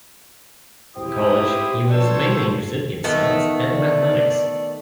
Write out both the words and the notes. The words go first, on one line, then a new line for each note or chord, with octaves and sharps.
In college, he was mainly interested in science and mathematics.
C4 E4 G4 D#6
F3 D4 A4 C5 C#5 E6
D#3 A3 B3
D5